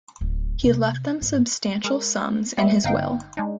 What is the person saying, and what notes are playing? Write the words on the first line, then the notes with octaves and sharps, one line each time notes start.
He left them substantial sums in his will.
D1
C3
G#2
G#3 A#4
G3 G#3 B3 E5
G1 D#4 F5 G5
G#3 D4 D#4